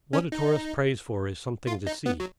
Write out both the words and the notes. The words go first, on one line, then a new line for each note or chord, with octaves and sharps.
What a tourist prays for is something to see.
C#4
D#4
F4
D#4
B3
F#3